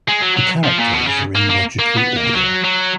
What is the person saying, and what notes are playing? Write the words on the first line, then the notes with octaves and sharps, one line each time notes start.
The characters are in logical order.
G#3
F#3
F#3
F3
A#2
B2
C#3
A#3
A#3
A#3
B3
A#3
F#3
F#3